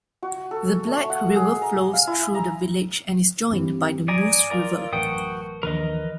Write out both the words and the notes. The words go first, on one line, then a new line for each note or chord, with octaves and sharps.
The Black River flows through the village and is joined by the Moose River.
F#4
A4
A3
F#5
G#4
A#5
F5
E4
A#5
G2 E3 C4 G4
D5 G#5 A#5 D#6 G#6
F4 A#4 D5
A1 F#2 F#4 A#4 B4 G5 A5 D#6
D#2 D3 E3 F3 A#4 B4 D#5